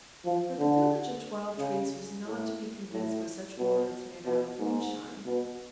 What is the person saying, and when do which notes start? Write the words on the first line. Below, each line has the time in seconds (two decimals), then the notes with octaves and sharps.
But the village of Twelve-trees was not to be convinced by such words made out of moonshine.
0.25 F3
0.59 D3
1.58 C#3
2.26 A2
2.93 A2
3.58 B2
4.26 B2
4.59 G#2
5.26 B2